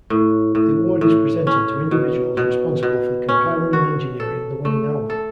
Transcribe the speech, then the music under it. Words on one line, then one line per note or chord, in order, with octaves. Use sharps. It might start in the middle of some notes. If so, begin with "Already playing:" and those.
The award is presented to individuals responsible for compiling and engineering the winning album.
A2
A2
A2
C#4
B2
B2
B2
C#4
F#4
A4
A3
A4